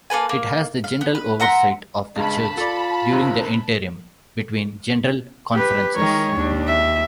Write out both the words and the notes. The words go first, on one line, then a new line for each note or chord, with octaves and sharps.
It has the general oversight of the Church during the interim between General Conferences.
A#3 A4 B4 G#5
A#3
F5
B3
B4
E5 F#5 A#5 C6
C#2 G2 G#3 A5 B5
F4 A4 D5
F#2 C3 D#3
G4 B4
D#3 G#3 A#4 C#5
D#2 D4
E5